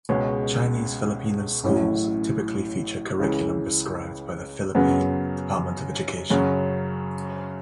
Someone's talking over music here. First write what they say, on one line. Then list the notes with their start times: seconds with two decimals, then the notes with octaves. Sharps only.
Chinese Filipino schools typically feature curriculum prescribed by the Philippine Department of Education.
0.09 C#2 B2 G#3 C#4
1.64 A1 A2 F#3 C#4 E4
3.20 C#2 C#3 E3
4.75 F#2 C#3 F#3 B3
6.30 F#2 C#3 F#3 C#4